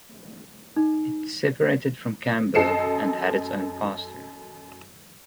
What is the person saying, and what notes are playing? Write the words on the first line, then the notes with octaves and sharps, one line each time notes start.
It separated from Camberg and had its own pastor.
D#4
F#2 A4 D#5 C7 C#7 E7